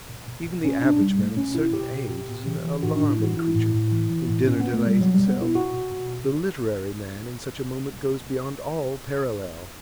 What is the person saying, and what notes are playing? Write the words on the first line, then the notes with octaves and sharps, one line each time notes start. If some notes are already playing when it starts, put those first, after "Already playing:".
Even the average man of a certain age is an alarming creature when dinner delays itself; the literary man in such a moment goes beyond all parallel.
B2
B2
B2
B2 C#4
B2 D4
B2 G3
B2 A3
B2 C#4
B2 E4
B2 G4
B2
B2
A2
E3
E3
A2 F#4
A2 D4
E4
E3 F#4
E3 E4
A2
A2
E3
E3
A2
B2 C#4
B2 B3
A3
B2 G3
B2 F#3
B2 G3
B3
B2 E4
B2 F#4
B2
B2